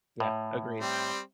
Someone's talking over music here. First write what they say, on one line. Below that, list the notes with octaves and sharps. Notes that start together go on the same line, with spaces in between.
Yeah. Agreed.
A2
G3 C4